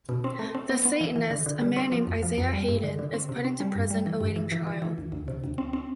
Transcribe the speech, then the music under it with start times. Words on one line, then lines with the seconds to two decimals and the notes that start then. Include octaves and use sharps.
The Satanist, a man named Isaiah Haden, is put into prison awaiting trial.
0.09 B2
0.24 C4
0.39 A3
0.55 C4
0.70 B3
0.85 B3
1.01 E3
1.16 E3
1.31 D3
1.46 D3
1.61 G3
1.76 C4
1.92 F3
2.07 F2
2.23 F3
2.38 F2
2.53 G3
2.68 G2
2.83 D3
2.99 D3
3.14 C4
3.29 C3
3.45 C4
3.60 G3
3.75 G2
3.91 G3
4.06 E3
4.21 G2
4.36 E3
4.52 E3
4.67 E3
4.82 E3
4.98 D2
5.12 D2
5.28 C3
5.44 D2
5.58 C4
5.73 C4